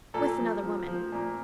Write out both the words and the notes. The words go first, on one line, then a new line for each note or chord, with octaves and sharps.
"With another woman."
A#2 A4
F3
F3
F3
A#2